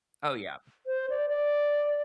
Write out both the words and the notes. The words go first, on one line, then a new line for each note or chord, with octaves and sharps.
oh yeah.
C5
D5
D5